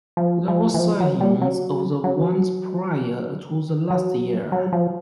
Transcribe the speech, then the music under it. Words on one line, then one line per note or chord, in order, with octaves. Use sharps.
There were sightings of the ones prior to the last year.
F3
F3
E3
F3
F#3
G3
F#3
F#3
F#3
F#3
F3